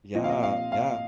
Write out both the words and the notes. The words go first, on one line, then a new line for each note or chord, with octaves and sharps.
Yeah, yeah.
A#2 F3 C4 D#5
F5
D#5
F5
F5